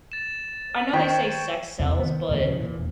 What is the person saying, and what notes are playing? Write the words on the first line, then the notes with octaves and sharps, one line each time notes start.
I know they say "sex sells" but
A6 E7
D#3 C5 C#5 G5 B6
E2 C3
D#3 B3
D2 A#2 E3 A3
C#3 E3 F3
A#2 E3
E1